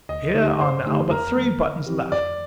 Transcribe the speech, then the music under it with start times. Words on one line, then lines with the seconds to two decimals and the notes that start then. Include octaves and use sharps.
Here are now but three buttons left.
0.09 D2 D#5
0.35 D3 A3 D#4 G4 D#5
0.60 G2 C5
0.86 D3 A3 D#4 G4
1.11 F2 A#4
1.36 D#3 G3 A#3
1.61 D3
1.86 F3 C4 G4
2.11 F2 D5